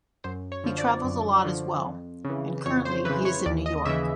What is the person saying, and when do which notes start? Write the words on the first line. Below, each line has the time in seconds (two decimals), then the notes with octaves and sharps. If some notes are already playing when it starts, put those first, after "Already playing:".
He travels a lot as well, and currently, he is in New York.
0.24 F#2 C5
0.52 C#5
0.64 D3 F3
0.78 D5
1.04 F#2
1.44 D3 F3
1.86 F2
2.25 C#3 E3
2.66 F2 C#5
2.85 C5
3.05 C#3 E3 B4
3.25 C#5
3.46 D#2 D5
3.66 D#5
3.85 C#3 E3 E5